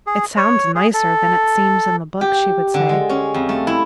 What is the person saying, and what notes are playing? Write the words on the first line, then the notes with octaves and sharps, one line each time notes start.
"It sounds nicer than it seems in the book," she would say.
G#4
C#5
G#4
A4
G4
D3
G#3
C#4
F2
A3
E4